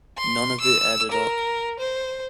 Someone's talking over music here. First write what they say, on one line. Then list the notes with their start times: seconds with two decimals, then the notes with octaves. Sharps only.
None of it added up.
0.18 C6
0.61 E6
1.11 A#4
1.79 C5